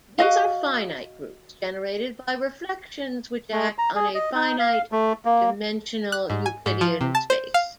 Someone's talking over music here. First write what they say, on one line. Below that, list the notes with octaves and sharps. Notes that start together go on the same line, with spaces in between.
These are finite groups generated by reflections which act on a finite-dimensional Euclidean space.
F#4 D#5 F5
A3
A#5
G#4
D#5
D#4
F5
A3
A#3
F#6
G#2
G#5
G#2
F3
C3
A5
C5
F5